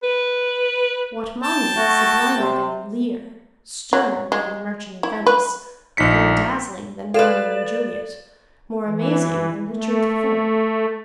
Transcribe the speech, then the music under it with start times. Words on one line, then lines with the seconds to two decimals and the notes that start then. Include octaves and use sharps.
What monument sublimer than "Lear," sterner than "The Merchant of Venice," more dazzling than "Romeo and Juliet," more amazing than "Richard III"?
0.03 B4
1.43 G5 A5
1.76 A3 F#4
2.38 C3
3.93 F#3
4.32 G#3
5.03 E4
5.26 B4
5.97 A#1 D#4 B6 C#7
7.14 A4 B4 D5 F5 E7
8.86 E3
9.68 A3